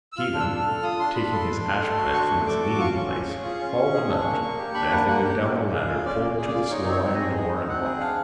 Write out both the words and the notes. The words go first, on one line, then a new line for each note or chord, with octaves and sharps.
Stephen, taking his ashplant from its leaningplace, followed them out and, as they went down the ladder, pulled to the slow iron door and locked it.
E6
F4 F6
D4
E6
D4
F6
A4
F4 D#6
D4 C6
D4 B5
A4 C6
D4
A3
A4
F#4
D4 C#6
A3
A4 D6
F#4
F4 C#6
C#4
C#4
G#4
F4
C#4
C#4
G#4
D4
A#3
A#3
G4
D4 B5
A#3 F#5
A#3 F#5
G4
C#4
A#3
G#4
F4
C#4 D5
A#3
G#4
D5
F4
D#4 C#5
C4
C#5
C4
G#4 D#5
D#4
C4
C4 F#5
G#4
D4 F5